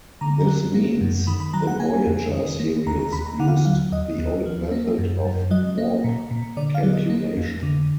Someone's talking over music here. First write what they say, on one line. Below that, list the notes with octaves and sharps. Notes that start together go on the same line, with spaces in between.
This means the "Voyager" series used the old method of Warp calculation.
D3 A#5
F#3
A#3
F#2
D#3 B5
B5
F#3 A#5
F#5
A#3 G#5
F2
D#3
A#3
D#2 A#5
A#5
D#2 B5
A#5
D3 F#5
F5
F#5
F#3 F5
D#2 D#5
D#2
F3
A#3
F#2
F#2
F#3 D#5
A#3
A#2
A#2
D3 D5
F5
F#3
D#5
A#3
F2
D3